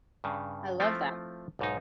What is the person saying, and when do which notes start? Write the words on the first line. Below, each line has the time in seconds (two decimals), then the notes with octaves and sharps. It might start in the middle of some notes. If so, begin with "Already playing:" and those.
I love that.
0.24 G2 C#3
0.80 F3 A3 C4 E4 F4
1.59 B1 G#2 D#4